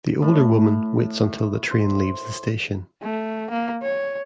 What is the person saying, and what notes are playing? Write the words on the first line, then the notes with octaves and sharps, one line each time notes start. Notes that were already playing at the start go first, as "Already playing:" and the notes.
The older woman waits until the train leaves the station.
A2
C5
A3
A#3
C#5